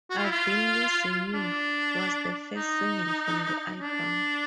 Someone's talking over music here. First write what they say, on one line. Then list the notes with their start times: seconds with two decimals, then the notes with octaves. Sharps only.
"I've Been Losing You" was the first single from the album.
0.10 F#4
0.18 F4
0.25 E4
0.31 F4
1.34 D4
2.57 D#4
3.79 D4